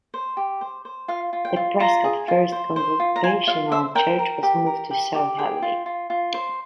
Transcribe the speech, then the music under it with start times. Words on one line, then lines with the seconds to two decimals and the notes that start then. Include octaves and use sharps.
The Prescott First Congregational Church was moved to South Hadley.
0.14 C5
0.37 G4
0.61 C5
0.85 C5
1.08 F4 F5
1.33 F4
1.45 G5
1.56 F4
1.80 F4 A#5
2.04 G#4
2.28 F4
2.52 C5
2.76 C5
3.00 F4
3.16 A#5
3.23 F4 G#5
3.47 F4 F5
3.71 C5 E5
3.95 A#4 G5
4.19 A#4
4.43 G4
4.66 A#4
4.91 G4
5.14 G4
5.38 G#4 G5
5.62 F4
5.86 F4
6.10 F4
6.34 C5